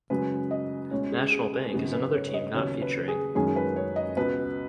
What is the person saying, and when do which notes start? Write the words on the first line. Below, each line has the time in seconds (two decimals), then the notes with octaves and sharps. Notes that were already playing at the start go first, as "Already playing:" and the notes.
National Bank is another team not featuring.
0.10 F#2 C#3 G#3 B4
0.51 D#5
0.91 C#2 B2 G#3 C#4 C#5
1.12 G#4
1.32 G#4
1.53 G#4
1.72 G#1 F#2 C#3 B3 F#4
1.93 B4
2.14 C#5
2.28 C#5
2.34 D#5
2.54 D#2 C#3 F#3 B3 C#5
2.82 B4
3.08 G#4
3.35 F#1 F#2 D#3 G#3 C#4 G#4
3.56 B4
3.76 C#5
3.96 D#5
4.17 C#2 B2 B3 B4